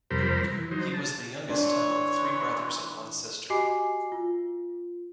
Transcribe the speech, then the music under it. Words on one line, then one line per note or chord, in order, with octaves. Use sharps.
He was the youngest among three brothers and one sister.
F2 C3 G3 A#4 C5 B5
E3
F#3 D#4 C5
A5
E3 D4 C#5 C6
F#4 G4 D#5 G#5 D6 C7
F4